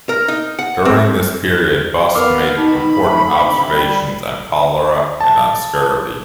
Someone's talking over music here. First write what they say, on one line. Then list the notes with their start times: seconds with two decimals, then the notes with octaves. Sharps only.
During this period Busk made important observations on cholera and on scurvy.
0.09 A#4
0.28 D#4
0.59 F#5
0.85 C4
2.15 B3 A#4 B4 F5 D6
2.57 B2 D#3 D#4 B5
2.95 D#2 A3 C#4
3.35 D2 C3
3.69 G3
5.21 A5